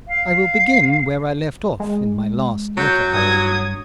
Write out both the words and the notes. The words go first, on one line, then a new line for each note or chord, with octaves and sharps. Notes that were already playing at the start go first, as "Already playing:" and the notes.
I will begin where I left off in my last letter.
F5
G#3
F#3 G6
G2 D#6 G#6